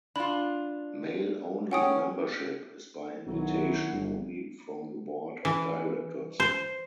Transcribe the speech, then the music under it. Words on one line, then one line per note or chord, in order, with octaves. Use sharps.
Male-only membership is by invitation only from the board of directors.
D4 F4 B5
C#4 F#5 G5 D#6
B1 D#3 F#3 E4
G1
E3
C5